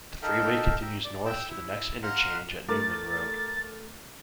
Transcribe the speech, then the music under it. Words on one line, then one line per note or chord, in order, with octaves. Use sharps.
The freeway continues north to the next interchange at Newman Road.
D#4 A4 A#4 E5 F5 G5
E5 G5 A#5
D5
G5 E6
E4
F5 F#5 A#5 C6 F6 F#6
A3 A#4 D6 A6